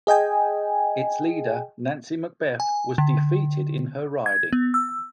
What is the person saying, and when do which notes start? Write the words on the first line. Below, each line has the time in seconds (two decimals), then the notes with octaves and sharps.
Its leader, Nancy MacBeth, was defeated in her riding.
0.07 G#4 D#5 G5 G#5
2.60 G#5
2.98 D3
4.26 G#6
4.53 B3
4.74 E6